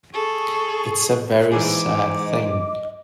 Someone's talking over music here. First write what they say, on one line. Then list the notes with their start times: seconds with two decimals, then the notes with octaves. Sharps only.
It's a very sad thing.
0.14 G#4 A4 C#6
1.52 G#2 E3 G#4 D6
2.26 D#5